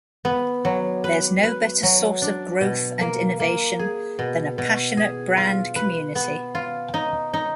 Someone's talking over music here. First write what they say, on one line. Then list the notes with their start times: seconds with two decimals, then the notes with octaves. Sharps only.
There's no better source of growth and innovation than a passionate brand community.
0.25 B3
0.65 F#3
1.04 B4
1.43 B4
1.83 F#3
2.22 D4
2.61 B2
3.01 A#3
3.40 A#3
3.79 G#4
4.19 B2
4.58 B2
4.97 G#4
5.37 F4
5.76 B4
6.15 B3
6.55 F4
6.94 D#4
7.33 D#4